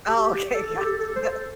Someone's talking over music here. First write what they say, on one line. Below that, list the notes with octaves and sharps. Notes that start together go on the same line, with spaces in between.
oh okay, gotcha.
G4
G4
A4
A4
G4
A4
A4
C5
A4